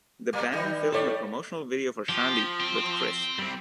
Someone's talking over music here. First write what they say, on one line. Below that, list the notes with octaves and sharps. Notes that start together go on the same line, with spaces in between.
The band filmed a promotional video for "Shandi" with Criss.
A2 G3 A#3
D#3 G3 D#4
G3 F4 A4 C#5 D5
F3 G4
C4
G3 C4